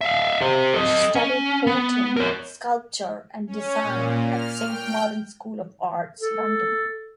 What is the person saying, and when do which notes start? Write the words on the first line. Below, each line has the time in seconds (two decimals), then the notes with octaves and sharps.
She studied painting, sculpture and design at Saint Martin School of Arts, London.
0.01 E5 F5
0.41 G4 C5
0.74 A4 D#5
1.15 C#4
1.67 B3
2.17 A#4 C#5
3.47 C#4
3.83 A#2
4.29 F6
4.67 G5
6.21 A4